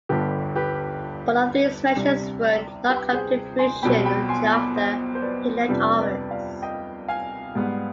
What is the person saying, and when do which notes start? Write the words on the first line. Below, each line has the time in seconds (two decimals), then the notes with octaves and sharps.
Both of these measures would not come to fruition until after he left office.
0.09 G1 G2 D3 G4 B4
0.56 G4 B4
1.96 C2 C3 G3 D4
2.89 G4 B4
3.13 G#4 C5
3.59 G#5 C6
3.83 B1 B2 G3 C4 G5 B5
4.05 G5 B5
4.29 G#5 C6
4.53 B5 D6
4.76 C5 D#5
5.15 C5
5.22 B4 D5
5.69 F2 C3 G3 D4 B4 D5
6.00 B4 D5
6.31 D5 F5
6.62 D#5 G5
7.08 F5 G#5
7.55 G#2 G3 B3